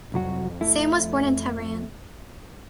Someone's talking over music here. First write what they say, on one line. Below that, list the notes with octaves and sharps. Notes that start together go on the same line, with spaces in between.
Sam was born in Tehran.
C2 F2 F#3 F#4
A3 E4